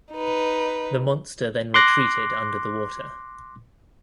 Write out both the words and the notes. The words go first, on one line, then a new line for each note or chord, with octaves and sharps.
The monster then retreated under the water.
D#4 B4
C6 D6 F#6 A#6